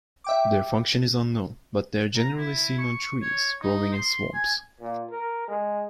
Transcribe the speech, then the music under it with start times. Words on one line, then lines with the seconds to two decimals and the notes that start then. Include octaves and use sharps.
Their function is unknown, but they are generally seen on trees growing in swamps.
0.24 E5 G5 D6
2.16 A#5
2.37 E4
2.78 C#6
3.22 C#5
3.62 D#4
3.93 C6
4.34 G#5
4.80 A#2
5.11 A#4
5.48 G#3